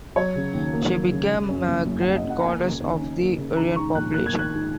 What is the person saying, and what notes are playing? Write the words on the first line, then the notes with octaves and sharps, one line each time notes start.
She became a great goddess of the Hurrian population.
F#3 C#5
C#3
D#2
A#3
F#3
C#3
C#3
F#2
F#1
F#1
C#3 F#5
D#5
F#2
F#5
A#5
A#3 G#5
C#3
D#2
C#4
A#3
C#3
D#3 A#5
G#2 C#6
A#1 F#6
A#3 F#6
G#6
D#3
F#6
G#2